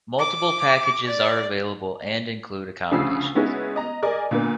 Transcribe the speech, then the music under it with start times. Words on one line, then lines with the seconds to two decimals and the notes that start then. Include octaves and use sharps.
Multiple packages are available and include accommodations.
0.19 D6
1.06 D5
2.91 D2 C#3 F3 B5 E6 C7
3.35 G#3 B3 C#4 D#4 E4 F#4
3.76 D#5 A#5
4.02 G#4 A#4 D5 D#5 G#5
4.31 A#2 D3 A#3 B3